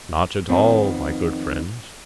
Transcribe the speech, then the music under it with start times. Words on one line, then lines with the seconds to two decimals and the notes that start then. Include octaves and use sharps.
"Not at all, my good friend."
0.49 F2 D#3 B3 C4